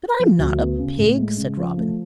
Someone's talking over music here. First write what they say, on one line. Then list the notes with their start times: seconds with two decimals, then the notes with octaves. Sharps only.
"But I'm not a pig," said Robin.
0.19 F3
0.39 D2
0.58 B3
0.79 C#3
0.99 A2
1.18 G#3
1.37 C#3
1.57 F3
1.77 A3